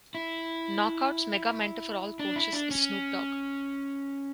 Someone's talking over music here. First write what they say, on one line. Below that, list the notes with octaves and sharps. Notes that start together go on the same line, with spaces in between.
Knockouts Mega Mentor for all coaches is Snoop Dogg.
E4
D4
E4
D4
C#4